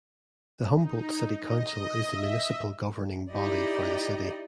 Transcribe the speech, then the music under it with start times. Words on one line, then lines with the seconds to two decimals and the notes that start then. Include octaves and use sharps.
The Humboldt City Council is the municipal governing body for the city.
0.76 D#4
1.37 D#5
2.06 E5
3.32 D#4 E4 G4 D5 D#5